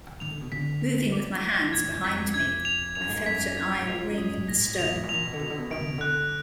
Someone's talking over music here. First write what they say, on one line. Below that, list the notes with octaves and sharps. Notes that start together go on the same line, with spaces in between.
Moving with my hands behind me, I felt an iron ring in the stone.
D#3 F7
D3
B2
D3 B6
B6
D6
G#6
A#2 G#6
G#2
F#2
F2 B6
G#6
F7
F#2 F7
G#2
F#2
B6
G#6
G#2
A#2 F7
F#2
D#6
G#2
A#2 A#6
G#2
B2 F7
A#2
G#2
A#2
F7
B2
D3
B2 F7
D3
B2
D#3 D7
D3
B2
D3 F#6